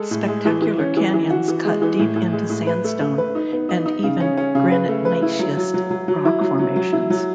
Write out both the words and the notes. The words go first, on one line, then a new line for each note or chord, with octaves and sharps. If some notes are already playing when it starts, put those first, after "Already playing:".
Spectacular canyons cut deep into sandstone, and even granite-gneiss-schist, rock formations.
Already playing: G#3 A4
A2
G#3
E3
E3
C#4
E3
E3
F#4
E3
G#3
E3
A2
A2
G#3
A2
B4
A3
A3
B4
D#4
B3
D#4
D#4
C#3
C#4
C#4
C#3
B4
A3
B4
E4
F#3
F#3
F#3
F#3
F#3
E4
F#3
F#3
F#3
E4
F#3